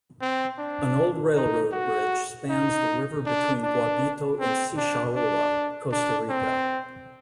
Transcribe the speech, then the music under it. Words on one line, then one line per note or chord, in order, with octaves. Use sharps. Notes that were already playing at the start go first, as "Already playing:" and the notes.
An old railroad bridge spans the river between Guabito and Sixaola, Costa Rica.
C4
D4
D#4
F#4
D#4
D4
D4
C4
D4
D4
D4
C4